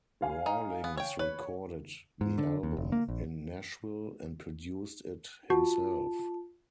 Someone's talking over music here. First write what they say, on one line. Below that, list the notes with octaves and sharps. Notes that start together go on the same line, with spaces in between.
Rawlings recorded the album in Nashville, and produced it himself.
F5 G#5
D#4
B3
C#5 G5
B4 C#5
G#2
D3
D#2
F1
A#3
A#1
F4 F#4 A5